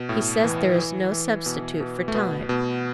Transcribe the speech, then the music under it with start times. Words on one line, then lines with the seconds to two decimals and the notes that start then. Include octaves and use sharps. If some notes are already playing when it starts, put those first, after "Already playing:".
He says there is no substitute for time.
Already playing: B2
0.09 A2
0.44 E3
0.78 E3
1.12 E3
1.46 B2
1.80 B2
2.08 A3
2.14 B2 B3
2.49 B2